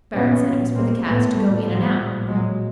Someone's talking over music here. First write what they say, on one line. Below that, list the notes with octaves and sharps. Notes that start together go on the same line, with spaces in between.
Barrett said it was for the Cats to go in and out.
A#2 B3 C#4
A#2
A#2 A#3 C4
A2 A3 B3
A#2 G3 A3
A2 F3 G3
A#2
A#2 F#3 G#3